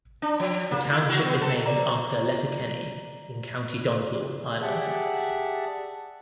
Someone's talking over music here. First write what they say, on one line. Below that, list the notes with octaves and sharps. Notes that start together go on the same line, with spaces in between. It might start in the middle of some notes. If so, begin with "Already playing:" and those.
The township is named after Letterkenny in County Donegal, Ireland.
D4
F3
A#3
E4
F#4
B3
A4
D5 A#5
G4 G#4 D5 E5 F#5 A5